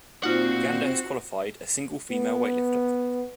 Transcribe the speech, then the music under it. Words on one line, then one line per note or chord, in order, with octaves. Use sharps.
Uganda has qualified a single female weightlifter.
A#2 C4 D#4 F4 F#4 C5 F#5
B3